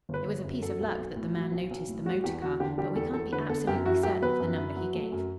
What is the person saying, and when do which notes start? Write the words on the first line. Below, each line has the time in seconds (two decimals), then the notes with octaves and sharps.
It was a piece of luck that the man noticed the motor-car, but we can't be absolutely certain of the number he gave.
0.09 G1 B4
0.26 G1
0.44 F#2
0.62 F#3 A4
0.81 B1
0.98 B1
1.16 A2
1.34 F#3
1.52 B1
1.71 B1
1.88 A2
2.06 G3 F#4
2.24 E2 G4
2.42 E2 F#4
2.60 D3 G4
2.78 G3 G4
2.95 E2 A4
3.13 E2 A4
3.32 D3 B4
3.49 B3 A4
3.67 F#2 G4
3.86 E4 F#4
4.03 F#3 G4
4.22 B3 B4
4.40 F#2
4.58 E4
4.76 F#3
4.94 A3
5.12 F#2